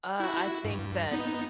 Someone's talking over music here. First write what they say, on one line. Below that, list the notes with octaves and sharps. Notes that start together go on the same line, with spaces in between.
Uh, I think that
E4 F#4
G2
B3 D#4